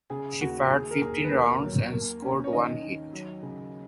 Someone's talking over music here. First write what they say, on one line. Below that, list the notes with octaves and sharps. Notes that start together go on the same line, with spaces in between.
She fired fifteen rounds and scored one hit.
C#3 G#4
D#2 F#4
D#2 G#4
A#4
D#2 G#4
B4
D#2 A#4
F#3
A#3
C#4
C#5
D#3 D#5
D#3
F#3
C#3